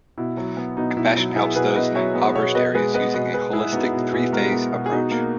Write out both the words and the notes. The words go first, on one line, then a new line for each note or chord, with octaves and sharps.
Compassion helps those in impoverished areas using a holistic three-phase approach.
B2 E4
F#3
B3
B2 D#4
B2 E4
F#3 E4
B3 E4 G#4
B2 G#4 B4
B2 B4 D#5
F#3 C#5 E5
B3
B2 C#5 E5
B2 B4 D#5
G#3 G#4 B4
B3 B4 D#5
B2 B4 D#5
B2 G#4 B4
G#3 E4 G#4
B3 D#4 F#4
B2
B2 E4 G#4
G#3 F#4 A#4
B3
B2
G#4
B2 D#4 F#4
A#3